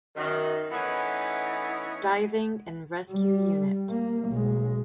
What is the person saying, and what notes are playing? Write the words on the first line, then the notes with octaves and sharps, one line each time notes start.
Diving and Rescue Unit.
F#2 D#3
E3 A3 B3 C#4 D#4
G3
A#3
B1 G#3